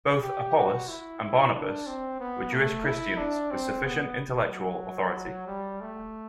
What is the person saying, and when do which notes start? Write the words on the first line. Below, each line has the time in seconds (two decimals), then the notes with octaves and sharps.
Both Apollos and Barnabas were Jewish Christians with sufficient intellectual authority.
0.22 G4
0.56 F#4
0.89 E4
1.21 E4
1.54 D4
1.87 C4
2.20 B3
2.53 A3
2.85 E4
3.18 D4
3.51 C4
3.84 B3
4.49 F#3
5.47 G3
5.81 A3